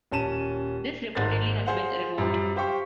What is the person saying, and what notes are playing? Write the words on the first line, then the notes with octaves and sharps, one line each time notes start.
This reportedly has been removed.
D#1 C#4 A5 D#7 E7
G#1 G#2 C5 A6
G#4 C5 F5 F#5
F#2 F3 G3
G4 C5 F5 G5 C#6